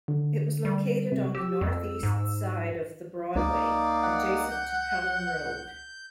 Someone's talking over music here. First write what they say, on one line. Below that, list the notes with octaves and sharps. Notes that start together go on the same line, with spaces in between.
It was located on the north-east side of The Broadway adjacent to Pelham Road.
D3
G3
C3
G4 E6
F2
G#2
C#2 A#3 D#4 D5
F#5
G6